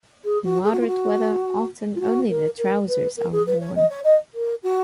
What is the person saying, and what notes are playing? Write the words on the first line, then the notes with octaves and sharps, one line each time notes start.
In moderate weather often only the trousers are worn.
G#4
F#4
G#4
F#4
F4
F#4
F4
F#4
A#4
A#4
B4
A#4
G#4
B4
C#5
D#5
C#5
D#5
A#4
F#4